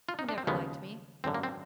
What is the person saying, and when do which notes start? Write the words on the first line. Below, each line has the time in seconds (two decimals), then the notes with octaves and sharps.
He never liked me.
0.09 F4
0.19 D#4
0.29 D4
0.38 C4
0.47 D#2 C#3 F3 G#3 B3
1.24 G#1 F#2 D3 C4
1.35 A#3
1.43 C4